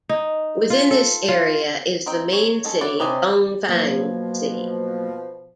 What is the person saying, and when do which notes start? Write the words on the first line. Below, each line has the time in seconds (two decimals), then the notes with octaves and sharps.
Within this area is the main city, Dongfang City.
0.09 D#4
0.70 F4
0.91 A4
1.28 F4
2.06 C4 D#4 G5
2.33 C#5
2.65 G#3 C#4 A4
2.81 E4 F#4 D5
3.00 C3 B4 D5 D#5 G#5 C6
3.69 B2 F3 F#3 A#3 G#6